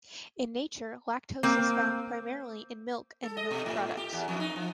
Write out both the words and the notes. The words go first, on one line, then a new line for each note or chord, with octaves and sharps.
In nature, lactose is found primarily in milk and milk products.
A#3 C4
A4
D#5
B2
A2
G4
E2
F2
D#4
F3